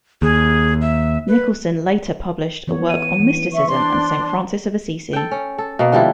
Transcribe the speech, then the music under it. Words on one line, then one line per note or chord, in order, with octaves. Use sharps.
Nicholson later published a work on mysticism and Saint Francis of Assisi.
D#2 G#4
E5
B4
E3 B3 C#5
D#7
E3
E5 C#6
D4 C5 C6
A4 G5
C#4
A4
B2 A#3
D3 F3 G3 E4